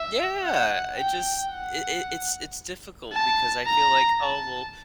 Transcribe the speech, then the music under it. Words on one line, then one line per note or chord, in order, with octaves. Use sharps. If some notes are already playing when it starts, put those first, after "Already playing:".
Yeah. I just it it it's it's difficult because I feel like, "Oh, well,
Already playing: E5
F#5
G5
F#5
A5
A#5
A5